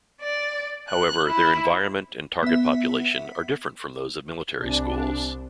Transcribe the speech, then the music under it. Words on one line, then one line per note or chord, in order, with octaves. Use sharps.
However, their environment and target population are different from those of military schools.
D5
F#6
E4
B3 E5
C2 D4